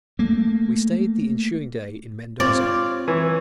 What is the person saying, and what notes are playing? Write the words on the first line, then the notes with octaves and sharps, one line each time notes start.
We stayed the ensuing day in Mendoza.
A3 A#3
C4 F4 G4 C#5 D5
E3 C#5